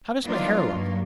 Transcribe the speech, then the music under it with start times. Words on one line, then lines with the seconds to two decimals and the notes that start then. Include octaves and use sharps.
How does my hair look?
0.23 F#3 A#3 B3 D4 D#4 F4
0.71 G2 F#3 A#3